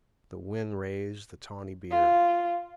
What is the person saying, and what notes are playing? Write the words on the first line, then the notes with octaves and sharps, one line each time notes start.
The wind raised the tawny beard.
F4